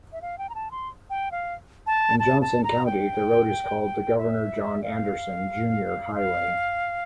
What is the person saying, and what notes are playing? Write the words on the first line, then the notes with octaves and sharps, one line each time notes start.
In Johnson County, the road is called the Governor John Anderson, Junior Highway.
E5
F5
G5
A#5
A5
C6
G5
F5
A5
A5
A5
A#5
G5
E5
F5
F5